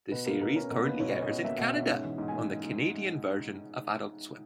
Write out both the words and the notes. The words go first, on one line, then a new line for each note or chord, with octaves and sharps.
The series currently airs in Canada on the Canadian version of Adult Swim.
B2 B4
A#3 A#4
B2 A#4
C#4 A#4
B2 A#4
A#3 B4
B2 C#5
C#4
D#5
B2
A#3 E5
B2 F#5
C#4 E5
G#2
E3
G#2
G#5
A#3